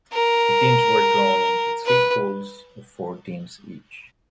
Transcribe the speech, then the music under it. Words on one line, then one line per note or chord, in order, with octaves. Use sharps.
The teams were drawn into three pools of four teams each.
A#4
B4